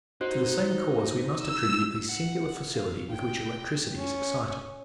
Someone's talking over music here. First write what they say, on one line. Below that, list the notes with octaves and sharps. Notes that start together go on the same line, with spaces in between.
To the same cause we must attribute the singular facility with which electricity is excited.
D#4 F#4 C5 F#6
E6
F#5
F5
G5
C#4